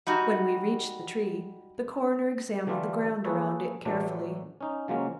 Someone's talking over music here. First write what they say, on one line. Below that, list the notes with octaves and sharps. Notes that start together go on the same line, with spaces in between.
When we reached the tree, the coroner examined the ground around it carefully.
G3 D#4 F#4
D3 E3 G3 A3 D4 F4
A#3 G#4 A4 B4 C#5 E5
A2 E3 F#3 A3 D4
C#4 D#4
C#3 F3 F#3 G#3 A#3 C#4